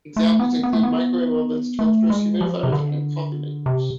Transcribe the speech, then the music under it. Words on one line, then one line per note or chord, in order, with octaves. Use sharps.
Examples include microwave ovens, toasters, humidifiers, and coffee makers.
A3
B3
B3
A3
B3
A3
G#3
F3
C3
D3
C3